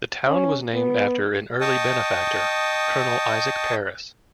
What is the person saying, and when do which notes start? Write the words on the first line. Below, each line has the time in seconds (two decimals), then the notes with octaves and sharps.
The town was named after an early benefactor, Colonel Isaac Paris.
0.27 C#4
0.74 B3
1.61 D#5 G5 A5 C#6 D#6